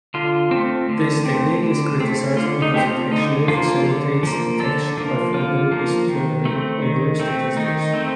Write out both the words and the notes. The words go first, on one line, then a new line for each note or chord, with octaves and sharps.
This technique is criticized because it actually facilitates detection by further disturbing other statistics.
D3 F4
A3 C4
D3
A3 C4
D3
A3 C4
D3 F4
D#4
A3 C4 G4
F4
D3 D#4
F3 A#3 F4
D3
F3 A#3
D3 A4
F3 A#3
D3 F4
F3 A#3
D#3
A3 C4
D#3
A3 C4
D#3 D#4
A3 C4